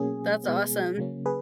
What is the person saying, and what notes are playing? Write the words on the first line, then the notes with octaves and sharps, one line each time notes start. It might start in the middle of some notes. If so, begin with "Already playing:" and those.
that's awesome.
Already playing: B2 F#3 A#3 C#4 G#4
B2 G#3 B3
C#3 F#3 A#3 C#4
G#4 B4